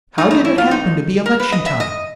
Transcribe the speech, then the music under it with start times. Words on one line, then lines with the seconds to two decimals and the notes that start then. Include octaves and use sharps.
How did it happen to be election time?
0.18 G2 E3 A3 D#4
0.31 D#4
0.45 E4
0.58 F4
0.71 D#4
1.26 A#4
1.39 B4
1.52 D#5
1.66 E5
1.80 D#5